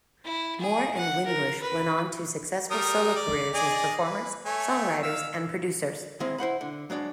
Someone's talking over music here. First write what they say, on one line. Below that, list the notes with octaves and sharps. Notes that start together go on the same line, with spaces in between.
Moore and Winbush went on to successful solo careers as performers, songwriters, and producers.
E4
G#4
F#5
A#4
B4
G3 A#4 D#6
D5
G#4 D5 D#5
B4
A3 C#5 G#5
F5 E6
D#3 G#3 C4 E4
E4 C5 F#5 B5
D3
F#3 G#3 D4 D5